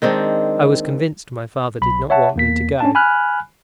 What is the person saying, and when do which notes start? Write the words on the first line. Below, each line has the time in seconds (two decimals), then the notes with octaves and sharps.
I was convinced my father did not want me to go.
0.02 D#3 G#3 C4 D4
1.82 B1 B5
2.10 C#5 E5 F#5 A5
2.36 E2 A#3 B6
2.80 C#4 D4 A5
2.95 G#5 B5 F6 F#6